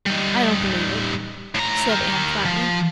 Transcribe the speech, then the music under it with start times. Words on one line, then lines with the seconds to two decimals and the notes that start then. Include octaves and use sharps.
"I don't believe it," said Anne flatly.
0.06 G3 D#4
1.55 A2 A#5
1.89 G4 A#4
2.45 F3